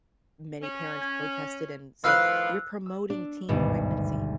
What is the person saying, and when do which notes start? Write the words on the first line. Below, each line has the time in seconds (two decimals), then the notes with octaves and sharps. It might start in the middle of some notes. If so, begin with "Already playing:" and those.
many parents protested and said, "You're promoting teen pregnancy."
0.62 C#4
1.02 G#6
2.04 A2 D#3 F3 B4 F5 E6 F#6
2.86 E6
3.10 D4
3.49 G#1 D2 G2 B2 G3